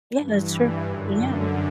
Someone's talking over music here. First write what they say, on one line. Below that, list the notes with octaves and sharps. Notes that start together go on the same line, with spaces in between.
Yeah, that's true. Yeah.
G2 E3
F#2 D3